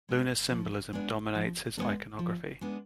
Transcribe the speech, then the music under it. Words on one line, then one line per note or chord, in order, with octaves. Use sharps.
Lunar symbolism dominates his iconography.
G#3 B3 D4
F3
G#3 B3 D4
F3
G#3 B3 D4
F3
G#3 B3 D4